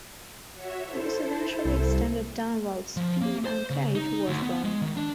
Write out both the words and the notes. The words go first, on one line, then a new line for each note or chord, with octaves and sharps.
It was eventually extended down Routes P and K to Washburn.
F#4 C#5 E5
E4 A4 C5
C2
F3
A#3
C5
C#3
D#4
D2
B3
G#3
D#3
D4